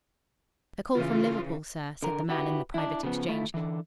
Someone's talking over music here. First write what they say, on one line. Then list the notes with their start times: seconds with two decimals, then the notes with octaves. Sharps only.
"A call from Liverpool, sir," said the man in the private exchange.
0.95 C#3 E3 F4
2.03 D3 A#4
2.30 E4 F#4 G4 B4
2.74 D4 E4
3.03 C#3 F3 B3
3.28 D#3 A3 E4 F4
3.54 D3 E3